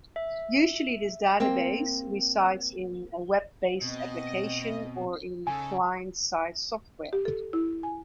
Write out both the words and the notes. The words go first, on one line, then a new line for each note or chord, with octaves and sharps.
Usually this database resides in a web-based application or in client-side software.
E5
A#3 C4
B2 C4 D#5
C#3 D#4 A4 G#5
G4
A4
E4
G#5